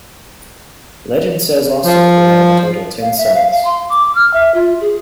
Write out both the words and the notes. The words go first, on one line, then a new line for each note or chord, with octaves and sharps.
Legend says also they had in total ten sons.
F3
F5
E5
F5
F5
C6
D6
F6
E5
F4
G#4